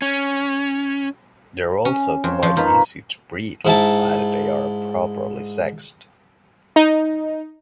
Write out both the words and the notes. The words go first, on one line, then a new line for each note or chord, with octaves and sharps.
They are also quite easy to breed provided they are properly sexed.
C#4
C#4
F2 C5 C#5
F3 C5 C#5
F3 A#3 D#4 B4
G#2 E4 A5
D#4